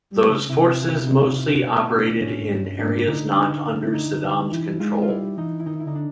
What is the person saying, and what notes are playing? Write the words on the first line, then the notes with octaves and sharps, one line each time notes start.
Those forces mostly operated in areas not under Saddam's control.
G3
C#3
C3 E4
F4
E4
D#4
E4
F4
F#4
B2 F4
D4
A2 C#4
G#2
G2
G#2 D4
D3 D#4
D4 D#4
D4
E4
D#4
E3 E4
G#3 F4
F4
G3 E4
E3 D#4
E4
D#3 D#4
E4
D3 D#4
D4